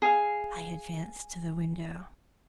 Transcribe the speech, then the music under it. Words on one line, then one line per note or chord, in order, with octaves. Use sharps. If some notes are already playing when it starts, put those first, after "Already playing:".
I advanced to the window.
G#4 F5